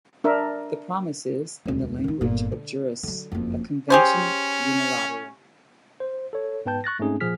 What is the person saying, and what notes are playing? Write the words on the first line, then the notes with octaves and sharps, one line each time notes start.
The promise is, in the language of jurists, a convention unilateral.
D4 A#4 E5
E1 D2
D#3 D#4
G1 A#2
D3
D3 F#3
F#1 F2
C#4 G4 G#4 C5
C5
A4 C#5
G#2 B3 B4 G5 A5 G6
C#6 F#6 A6 A#6
G#2 A3 C4 C#4 D#4 G#4
A#2 F3 G#4 F6 B6